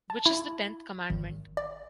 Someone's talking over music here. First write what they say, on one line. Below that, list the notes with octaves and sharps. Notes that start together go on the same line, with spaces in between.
Which is the tenth commandment?
A5
E4
G#1
D5